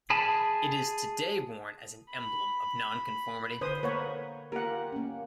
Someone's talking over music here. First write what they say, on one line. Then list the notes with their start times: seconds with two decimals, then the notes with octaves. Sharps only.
It is today worn as an emblem of non-conformity.
0.10 G#4 G#5 A5 B5
2.11 B5
3.61 D3 B4 C5 D#6
3.83 A#3 A#4 B4 C#5 F#5
4.52 A#3 F4 G4 A#4 F#5
4.92 A#3 C#4